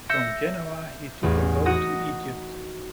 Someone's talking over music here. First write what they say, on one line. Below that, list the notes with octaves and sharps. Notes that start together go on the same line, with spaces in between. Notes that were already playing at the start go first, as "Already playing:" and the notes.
From Genoa he took a boat to Egypt.
E5 E6 G6 A#6 C#7
A1 E2
D#4 F#4 D#6 A#6